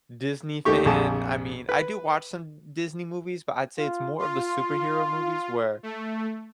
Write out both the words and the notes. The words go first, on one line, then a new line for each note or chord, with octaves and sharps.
Disney fan, I mean, I do watch some Disney movies, but I'd say it's more of the superhero movies, where
D#2 D#3 A3 G4 C#6
A#1 F2 G4 G#4 A5
B4
F4
F4 C6
A3